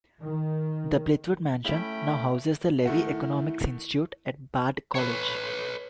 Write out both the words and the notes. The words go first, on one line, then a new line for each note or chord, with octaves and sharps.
The Blithewood mansion now houses the Levy Economics Institute at Bard College.
D#3
A3 C#4 E4 E5 G5 B5
D#3 A3 E4 F#4
B4 C#5